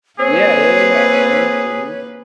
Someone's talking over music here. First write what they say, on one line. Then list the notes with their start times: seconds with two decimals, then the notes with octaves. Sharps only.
Yeah, yeah, yeah, yeah. Mhm, mhm.
0.20 A#3 C4 G#4 B4 C#5